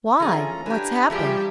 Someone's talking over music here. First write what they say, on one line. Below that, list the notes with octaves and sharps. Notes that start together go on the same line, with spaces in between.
'Why, what's happened?
E3 C#4 F4 G#4 A4 A#5
D4 E4 G4 B4 G#5
E3 F3 G3 G4 G#4 E5 A5 B5